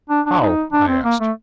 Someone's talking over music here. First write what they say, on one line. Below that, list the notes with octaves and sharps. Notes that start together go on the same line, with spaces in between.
"How?" I asked.
D4
D4
D#4
D4
C4
A#3
A3